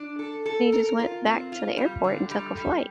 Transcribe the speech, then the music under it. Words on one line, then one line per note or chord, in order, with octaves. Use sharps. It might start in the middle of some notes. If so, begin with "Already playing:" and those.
he just went back to the airport and took a flight,
Already playing: D4
A4
A4
A#4
F4
C4
F4
G3
D3
G3
G3